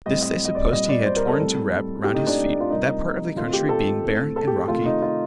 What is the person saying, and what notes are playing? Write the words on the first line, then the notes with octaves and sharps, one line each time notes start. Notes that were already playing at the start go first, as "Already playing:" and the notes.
This they supposed he had torn to wrap round his feet; that part of the country being barren and rocky.
A2 G3 C4 D#5
D#5
D#5
D5
A#2 G3 C4 D#5
D5
C5
A#4
A4
A2 G3 C4
A2 A3 C4 G4
D#4
D4
F4
C3 G3 A#3 D#4
D#3 A3 C4 F4
G4
A4
A2 A3 C4
A4
G4
G4
C3 D#3 A3 F4
D#4
F4